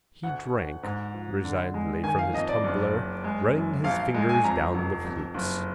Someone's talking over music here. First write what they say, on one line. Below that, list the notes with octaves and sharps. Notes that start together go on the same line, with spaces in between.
He drank resignedly from his tumbler, running his fingers down the flutes.
D2 F#5
D2
G#2
F3
D3
G#3
D#3 G#5
F5
F2 D#5
D5
F#1
F#1
G#3
F#2
A#1 F5
F5
G#3
G#5
F2 A#5
F1
F2
F#1